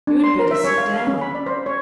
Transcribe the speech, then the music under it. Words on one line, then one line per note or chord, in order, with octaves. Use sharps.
"You had better sit down."
D4
C6
A#4
E5
C#5
F5
F5
C#4
B5
D5
C5
C#5